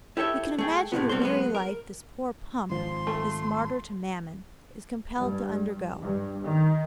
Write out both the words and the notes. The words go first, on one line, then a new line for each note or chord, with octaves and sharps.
We can imagine the weary life this poor Pump, this martyr to Mammon, is compelled to undergo.
E4 G4 A4 C#5 E5
A3 G#4 G5
A2 C3 D#3 B3
G2 B2 C4 A4 C5 C6
F#3 G#3 B3
A#4
G#1 F3 C6
A3
G2
G2
D#3